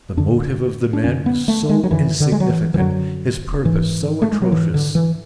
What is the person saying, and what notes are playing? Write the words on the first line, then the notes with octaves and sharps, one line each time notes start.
The motive of the man was so insignificant, his purpose so atrocious.
F#2 D3 D4
D4
F#2 D3 C#4
B3
A3
G#3
F#3
F#2 D3 E3
D3
G#3
F#3
E3
E3
F#2 D3 F#3
G#2 E3
A3
G#3
F#3
G#2 E3
D3
E3